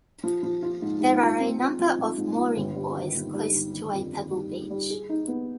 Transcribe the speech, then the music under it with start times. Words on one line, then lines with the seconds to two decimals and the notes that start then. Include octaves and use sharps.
There are a number of mooring buoys close to a pebble beach.
0.24 F3
0.43 F3
0.62 F4
0.82 G#2
1.01 G#2
1.21 F3
1.40 C4
1.59 F4
1.79 F3
1.99 F3
2.17 G#2
2.38 F4
2.56 G1
2.75 G3
2.96 D#3
3.14 G1
3.33 G3
3.54 G1
3.73 D#3
3.93 F2
4.12 D#3
4.31 G3
4.51 G3
4.70 G3
4.90 G#4
5.09 D#4
5.28 B3